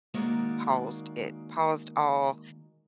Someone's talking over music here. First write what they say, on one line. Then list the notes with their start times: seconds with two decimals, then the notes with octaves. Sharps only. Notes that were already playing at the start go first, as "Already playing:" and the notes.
paused it paused all
0.14 D#3 G#3 A#3 F#4 D5